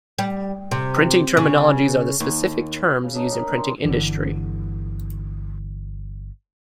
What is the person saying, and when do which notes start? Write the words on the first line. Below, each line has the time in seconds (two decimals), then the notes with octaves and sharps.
Printing terminologies are the specific terms used in printing industry.
0.19 G3
0.71 C3
1.37 C#3
2.20 D#2
3.03 C#3
3.15 D4 D#4 D5
3.32 A#4 G5 B5
3.55 G3 C6
3.85 G1 D3 E3